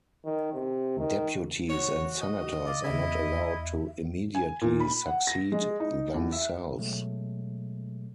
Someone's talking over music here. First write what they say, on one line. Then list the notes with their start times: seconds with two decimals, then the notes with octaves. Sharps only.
Deputies and senators are not allowed to immediately succeed themselves.
0.25 D#3
0.53 C3
0.99 D#3
1.70 F#4 C#5
2.21 D#5
2.66 D5 F5
2.83 C#3 E4 E5
3.02 E2
4.35 G#5
4.61 A#2
4.80 B5
5.07 F#5
5.27 A#6
5.52 G#3
5.80 D#4
6.14 E2
6.32 E5
6.78 B2 F#3 G#3 A3